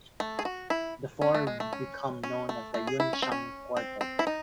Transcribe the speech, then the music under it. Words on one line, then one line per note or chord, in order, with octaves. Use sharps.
The four become known as the "Yun Shang Quartet".
A3
G#4
F#4
E4
C#4
A3
G#3
A3
C#4
C#4
A3
A3
G#4
E4
C#4
C4
C#4
C4
C4
E4
D#4